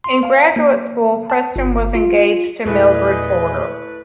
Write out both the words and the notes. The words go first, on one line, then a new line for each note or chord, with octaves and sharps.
In graduate school, Preston was engaged to Mildred Porter.
C6
F5
A#3
A5
G1
F4
E2 A#2 A3 E4 G#4 B4 D#5